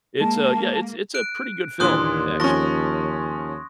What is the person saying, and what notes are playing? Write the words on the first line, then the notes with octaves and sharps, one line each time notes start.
it's a yeah, it's it's a pretty good film, actually,
G#3 A#3 A5
F#6 D7
D#2 A#2 D3 E3 C6 D#6 F#6
F3 C#4 C#6 A#6